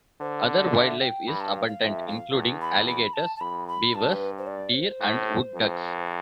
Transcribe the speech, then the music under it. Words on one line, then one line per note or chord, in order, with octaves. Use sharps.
Other wildlife is abundant, including alligators, beavers, deer, and wood ducks.
D3 C5
D5
E5
G5
G2 B5
A5
F5
F5
F2 E5
F5
E2
B5
B5
A5
A5
F2 B5
B5
G2 A5
B4
C5
D5
C5
A2
F2